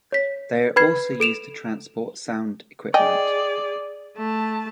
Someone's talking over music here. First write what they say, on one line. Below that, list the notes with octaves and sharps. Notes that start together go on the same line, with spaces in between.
They are also used to transport sound equipment.
C#5 B6
B4 B5 G#6 C7
A4 D7 E7 F7
G#4 D5 D#5 G5 G#5
A3 A5